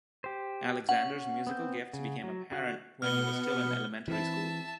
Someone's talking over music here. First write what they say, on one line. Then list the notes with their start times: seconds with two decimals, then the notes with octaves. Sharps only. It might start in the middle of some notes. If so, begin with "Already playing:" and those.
Alexander's musical gifts became apparent when he was still in elementary school.
0.24 G4 C5
0.89 C#4 F#5
1.47 B3 C4 G6
1.93 C#3
2.23 F#3
2.51 D3 F#4 F#5
3.02 B2 B3 F6 C#7 G7
4.08 E3 C4 E4 E5 A5